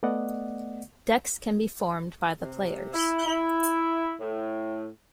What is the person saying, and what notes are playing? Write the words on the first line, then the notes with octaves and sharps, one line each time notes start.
Decks can be formed by the players.
A3 B3 D5 D#5 F#5
C3
E4
E4
A2